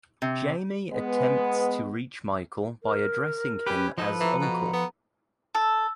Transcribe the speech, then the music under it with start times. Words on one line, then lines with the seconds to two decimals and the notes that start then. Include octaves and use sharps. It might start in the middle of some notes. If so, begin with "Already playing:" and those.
Jamie attempts to reach Michael by addressing him as Uncle.
0.22 C3
0.90 G#3 B3
2.83 A#4
3.67 C#4 G4 B4
3.98 F3 D#4 A4 B4
4.20 E3 A#5
4.41 B2
4.73 B3
5.55 A4